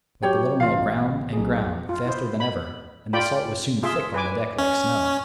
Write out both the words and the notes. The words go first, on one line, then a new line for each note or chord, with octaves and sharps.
But the Little Mill ground, and ground, faster than ever, and the salt was soon thick on the deck like snow.
F#3 G4 C#5 G5
A1 F4 F5
B1 G#4
F4
E4 C5
B5
F4 D5 G5 B5
F4 G#4 E5 C6
B4 G#5 D6
C#4